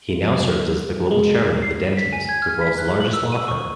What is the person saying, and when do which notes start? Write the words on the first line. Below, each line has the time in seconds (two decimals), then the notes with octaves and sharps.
He now serves as the global chairman of Dentons, the world's largest law firm.
0.23 F#3
1.11 G#3
1.62 C7
1.97 B6
2.13 G#5
2.29 G#6
2.42 F6
2.61 B6
2.78 F#6
3.01 F#7
3.13 E6
3.32 D#7
3.48 C#6